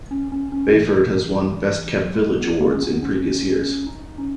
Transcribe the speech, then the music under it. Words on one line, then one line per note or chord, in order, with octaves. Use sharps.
Bayford has won 'best kept village' awards in previous years.
C#4
C#4
C#4
E3
F#3
G#3
B3
A#3
C#4
B3
C#4
D#4
C#4